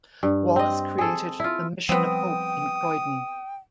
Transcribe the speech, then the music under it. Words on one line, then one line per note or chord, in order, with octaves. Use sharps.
Wallis created the "Mission of Hope" in Croydon.
G2
C4 D#5
G#4 A4
E4 F4
F3 G3 B3 C4 G5 D#6